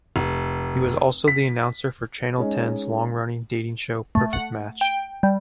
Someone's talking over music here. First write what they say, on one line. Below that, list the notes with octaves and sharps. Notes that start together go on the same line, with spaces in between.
He was also the announcer for Channel Ten's long-running dating show "Perfect Match".
F1
B6
G#3 C#4 D#4
A3
F#5
G5
G3